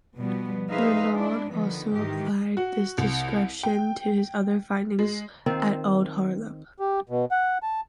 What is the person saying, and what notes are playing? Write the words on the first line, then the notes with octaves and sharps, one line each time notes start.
Renaud also applied this discretion to his other findings at Oud Haarlem.
B2 F3 G3 B3
D#4 G#4 B4 C5 E5 F5
G#3 D4 E4
D3 D#3 F3 B3
G#2 D#3 E3 G4
F#4
C2
G5
G#3
D#3 C4 F4
G4
B2
F#5
A5